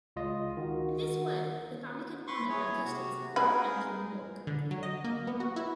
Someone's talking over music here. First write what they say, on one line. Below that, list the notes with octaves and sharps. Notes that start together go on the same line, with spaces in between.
In this way, the family can honor their customs without entering the morgue.
C#2 F4 D#5
D#3 F#4
B4 C6 C#6
E4 G#4 C#5
C3 F#4
C4 D#4 F#4 G#4 A#4 B4
D3
F#3
D#5
A#3
B3
F#4
E4